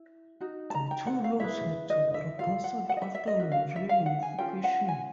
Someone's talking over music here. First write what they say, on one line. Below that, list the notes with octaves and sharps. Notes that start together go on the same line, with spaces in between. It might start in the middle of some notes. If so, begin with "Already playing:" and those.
The two laws had to be reconciled after reunification.
Already playing: E4
D#4 F#4
A5
A#5
G5
F#5
F5
E4 G#4 B4 E5
D#5
E5
F4 A4 F5
F#5
F#5
D#5
E5
E5
D#5
C#4 F#4 A#4 E5
F5
E5
F5
F#5
G#5
C#4 F4 A4 G5
F#5
G#5